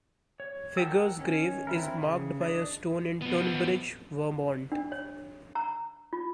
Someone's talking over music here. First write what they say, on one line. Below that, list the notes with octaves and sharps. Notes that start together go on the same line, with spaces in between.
Figure's grave is marked by a stone in Tunbridge, Vermont.
C#5
A#4 F#5 G5 A5 E6
D#3 C#4
C4 D4 E4 A#4
C#3
D4 D#5
F3 B3
D4
C#5
A#5
F4